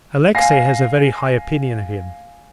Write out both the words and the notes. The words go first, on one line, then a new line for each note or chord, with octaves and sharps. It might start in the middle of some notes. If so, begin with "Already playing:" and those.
Alexey has a very high opinion of him.
F5 G#5 A#6 C7